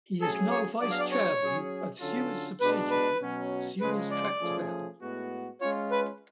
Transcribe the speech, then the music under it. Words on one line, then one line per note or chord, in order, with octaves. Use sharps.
He is now Vice Chairman of Suez subsidiary, Suez-Tractebel.
F#3 A3 C#4 G#4 A4
C#5
F#3 B3 D4 G#4 D5
F5
D5
C#5
F#3 C#4 G#4
D3 F#3 C#4 F4 A4
B2 G#3 D4 B4
B4
B2 F#3 C#4
C#3 F3 G#3 B4
D5
F3 A3 C#4 G#4
A2 G#3 B3 F#4
G#3 C#4 F4 C#5
B4